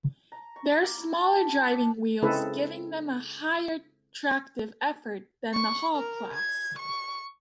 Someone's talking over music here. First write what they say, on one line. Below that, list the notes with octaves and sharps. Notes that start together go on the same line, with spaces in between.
Their smaller driving wheels giving them a higher tractive effort than the Hall Class.
A#5
C#6
A#3
E4
A5
G3
F4
D4
C#3 G#3 C4 E4 A4 B4
C#6
A#4
G#6
C#6